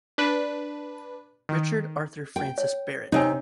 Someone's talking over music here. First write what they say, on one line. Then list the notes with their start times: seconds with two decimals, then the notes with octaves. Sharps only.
Richard Arthur Francis Barrett.
0.18 D4 B4
1.49 D#3
2.36 G5
2.58 C#5
3.12 C3 C#4 D#4 C#5 G#5